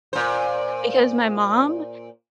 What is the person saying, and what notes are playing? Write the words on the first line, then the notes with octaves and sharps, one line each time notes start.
because my mom
A#2 C5